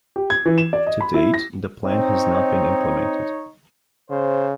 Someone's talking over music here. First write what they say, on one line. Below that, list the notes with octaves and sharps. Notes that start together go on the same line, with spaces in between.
To date the plan has not been implemented.
G4
G#6
E3
E7
D5
D#5
B5
E4
A#6
C4 D#4 C#5
C#3 C5